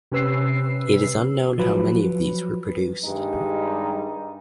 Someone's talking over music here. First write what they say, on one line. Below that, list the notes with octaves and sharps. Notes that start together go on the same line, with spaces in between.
It is unknown how many of these were produced.
C3 C#4 B4 E6 C7
F3 F#3 B4
G2 D#3 G3 G#3 D#4